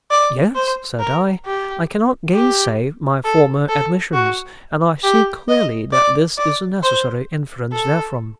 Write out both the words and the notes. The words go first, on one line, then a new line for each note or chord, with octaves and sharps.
'Yes,' said I; 'I cannot gainsay my former admissions, and I see clearly that this is a necessary inference therefrom.'
D5
C5
A#4
G4
G4
A4
A4
F#4
G4
D#5
D5
D5
C5
A4